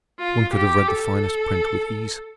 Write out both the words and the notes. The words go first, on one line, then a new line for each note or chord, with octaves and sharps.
One could have read the finest print with ease.
F4
G4
A4